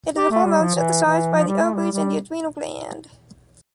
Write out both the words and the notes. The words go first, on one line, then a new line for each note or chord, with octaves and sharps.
It is a hormone synthesized by the ovaries and the adrenal gland.
G4
A3
G3
F3
E3
E3
F3
G3
A3
G3
G3